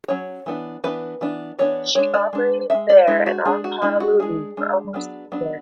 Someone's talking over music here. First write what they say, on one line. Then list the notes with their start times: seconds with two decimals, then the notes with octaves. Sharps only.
She operated there and off Honolulu for almost a year.
0.08 F#3 C#4 C#5
0.46 E3 B3 D4
0.84 E3 B3 D4 B4
1.21 E3 B3 D4
1.59 E3 B3 D4 C#5
1.95 G#3 D4 C#5
2.14 D5
2.33 G#3 D4
2.70 D4 E5
2.74 G#3
2.90 D5
3.07 G#3 D4 E4
3.26 F#4
3.45 G#3 D4 G#4
3.64 F#4
3.82 G#3 D4 E4
4.00 F#4
4.19 G#3 D4 G#4
4.57 G#3 D4
4.94 F#3 B3 D4
5.32 F#3 B3 D4